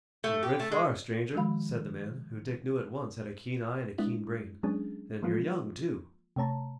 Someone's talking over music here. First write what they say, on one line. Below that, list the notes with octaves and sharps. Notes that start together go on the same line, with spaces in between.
"You've rid far, stranger," said the man, who Dick knew at once had a keen eye and a keen brain, "an' you're young, too."
A3
G4
A3
G#3
D#3 F3 G#3 F#4 F5 B5
G#3 B3 D4 E4
F#3 G#3 B3 C#4 D4 G#4
E3 F3 G#3 A#3 B3 F4
C3 A3 C#5 A5 A#5